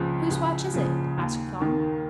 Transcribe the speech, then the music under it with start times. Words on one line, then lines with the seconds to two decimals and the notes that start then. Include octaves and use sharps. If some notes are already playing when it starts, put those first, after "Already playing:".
"Whose watch is it?" asked Thong.
Already playing: C#2 C#3 F3
0.31 C#2
0.74 C#3 F3
1.17 D#2
1.60 D#3 A#3